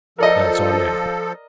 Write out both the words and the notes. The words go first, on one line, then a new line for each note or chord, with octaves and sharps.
That's our man.'
F3 A4 A#4 D5 D#5